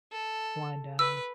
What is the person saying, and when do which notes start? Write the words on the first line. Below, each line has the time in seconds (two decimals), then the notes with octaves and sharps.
Wind down.
0.12 A4
0.99 B4 E6